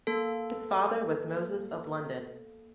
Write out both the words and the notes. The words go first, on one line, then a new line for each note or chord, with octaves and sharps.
His father was Moses of London.
A#3 A4